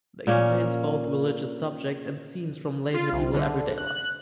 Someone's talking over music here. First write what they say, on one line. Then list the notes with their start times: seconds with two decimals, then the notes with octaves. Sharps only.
They contains both religious subjects and scenes from late medieval everyday life.
0.27 A#2 A#3 C#4
2.94 F4
3.12 C2
3.33 D3
3.78 F#6